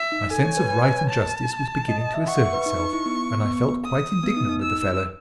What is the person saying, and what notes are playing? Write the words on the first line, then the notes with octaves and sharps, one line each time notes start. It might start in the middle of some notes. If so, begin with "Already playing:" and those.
My sense of right and justice was beginning to assert itself, and I felt quite indignant with the fellow.
Already playing: E5
D#4
A4 G#5
C#5
B4
B4
C#5
A5
D#5
D#5
E5
F#5 C#6
E5
B4
D#4
D#4
E4
B3
B3
D#6
B3
D#4
D#4
E6